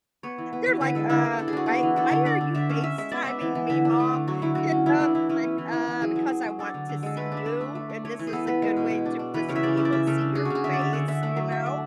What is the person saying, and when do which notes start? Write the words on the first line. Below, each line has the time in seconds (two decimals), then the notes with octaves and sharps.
They're like, "Uh, why why are you FaceTiming me, mom?" You know, I'm just like, "Uh, because I want to see you and this is a good way to just be able see your face," you know?
0.23 B3 C#5
0.38 E3
0.53 B3
0.67 E3
0.81 D3 B4
0.95 G#3 A4
1.10 D3 E4
1.25 D3
1.38 D4 A4
1.48 G#4
1.53 D4 F#4
1.66 B3 G#4
1.83 E3
1.96 D4 A4
2.11 D3 C#5
2.25 D4 D5
2.41 D3
2.55 D3 E5
2.69 C#4
2.84 C#4 E5
2.98 G#3 E5
3.12 B3 D5
3.24 B3 E5
3.41 E3
3.55 E3
3.70 D3 E5
3.85 D4
4.00 A3
4.14 D3
4.28 F#3 F#4
4.42 D3 E4
4.55 D3 F#4
4.72 C#4
4.86 E3 E4
5.00 E3 D4
5.15 E3 E4
5.29 C#4 E4
5.43 B3
5.58 E3
5.73 E3
5.88 E3
6.02 F#3 G#4
6.16 F#3
6.31 F#3
6.46 F#3
6.59 D4 A4
6.74 D3
6.89 D3
7.03 G#3 A4
7.17 A3 B4
7.32 D4
7.37 E5
7.46 D4 D5
7.61 A3
7.75 A3
7.90 D4
8.05 A3 C#5
8.19 E3
8.27 G#4
8.33 B3 A4
8.47 B3 B4
8.62 G#3
8.77 B2
8.90 G#3
9.06 D4
9.19 D4
9.34 E3 B4
9.49 C#3 C#5
9.56 E5
9.63 C#3 D5
9.77 C#4 E5
9.85 D5
9.92 C#3 E5
10.07 C#3 A4
10.21 D4
10.35 D4 G#4
10.45 F#4
10.50 C#3 G#4
10.64 D3 E5
10.73 D5
10.79 D3 E5
10.93 D3 F#5
11.08 D3 E5
11.23 A3 F#5
11.36 F#3
11.51 F#3 E5
11.66 D4